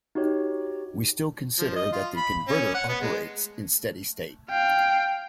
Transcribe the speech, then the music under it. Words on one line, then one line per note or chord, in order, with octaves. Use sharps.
We still consider that the converter operates in steady state.
D#4 F#4 G4 C#5
F3
D#5
F4
B5
C#4
F#5
B3
G#3
F5 G5